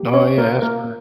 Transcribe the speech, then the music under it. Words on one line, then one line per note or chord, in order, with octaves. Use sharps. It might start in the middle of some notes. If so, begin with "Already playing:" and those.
No, yeah. That's correct.
Already playing: A#3 G4
C#4 C#5
A#3 A#4
A#3 A#4